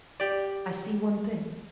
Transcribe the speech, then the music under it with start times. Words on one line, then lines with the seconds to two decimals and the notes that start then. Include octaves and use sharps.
"I see one thing."
0.20 G4 D5